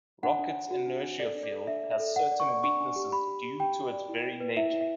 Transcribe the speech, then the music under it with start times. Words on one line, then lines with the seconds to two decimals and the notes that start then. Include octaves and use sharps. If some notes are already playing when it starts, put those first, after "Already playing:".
Rocket's inertia field has certain weaknesses due to its very nature.
0.23 D4 F#5
0.39 D4
0.55 D4
0.71 F#4
0.87 D4
1.03 D4
1.19 A4 D5
1.35 D4
1.43 D5
1.52 A4
1.67 D4 E5
1.84 D5
1.92 E5
2.00 A4
2.16 D5 F#5
2.31 D5
2.40 C#6
2.48 D5
2.64 D4 C#6
2.80 D4
2.96 G4
3.12 G4 B5
3.28 G4
3.45 G4
3.60 G4 G5
3.76 G4
3.92 D5
4.09 E4
4.25 D5
4.40 B4
4.57 E4 E5
4.73 E4
4.81 E5